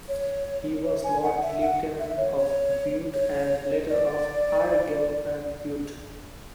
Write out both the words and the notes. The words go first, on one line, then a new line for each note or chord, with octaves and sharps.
He was Lord Lieutenant of Bute and, later, of Argyll and Bute.
C#5
C#5
G#5
F#5
E5
F#5
E5
C#5
C#5
C#5
D5